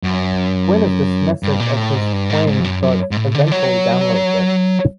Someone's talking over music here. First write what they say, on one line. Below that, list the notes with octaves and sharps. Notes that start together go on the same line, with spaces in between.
Quinn is dismissive of his claims but eventually downloads it.
F#2
G2
A#2
A2
G#2
G2
G#2
G#2
F2
F#2
F#2
G#2
A2
D3
F#3